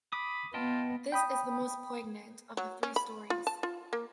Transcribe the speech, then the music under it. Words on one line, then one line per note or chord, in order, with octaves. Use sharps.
This is the most poignant of the three stories.
B5 D6 D#6
B3 F4 D#5 G5 A5
G5 B5 D#6
F#3
C#4
B5
F4
A5
F4
A#3